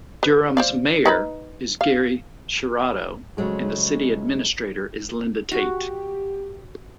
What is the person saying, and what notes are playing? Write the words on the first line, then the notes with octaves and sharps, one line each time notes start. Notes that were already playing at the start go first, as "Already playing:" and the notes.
Durham's mayor is Gery Schirado and the city administrator is Linda Tate.
B4
C5 D5 F5
D#4 B4 B5
F5
C#3 F3 F#3 G#3 A3
F#4 G4